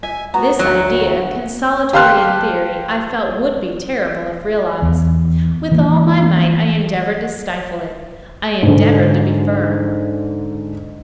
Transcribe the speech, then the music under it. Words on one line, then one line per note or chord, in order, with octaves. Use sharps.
This idea, consolatory in theory, I felt would be terrible if realised: with all my might I endeavoured to stifle it--I endeavoured to be firm.
E5 G#5
B3 F#4 A#5
D2 F#3
G4 F5 A5 C6 F6 F#6
E2
E3 G#3 A#3
G#2 D3